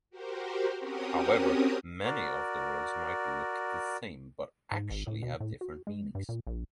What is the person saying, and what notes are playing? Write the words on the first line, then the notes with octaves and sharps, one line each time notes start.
However, many of the words might look the same but actually have different meanings.
F#4 G4 A#4 C5
C4 C#4 F#4 G4 A#4 D#6
F#4 A#4 D5
G#2
G#1
A2
B2
A2
F#4
G#3
G2
A#2
A#1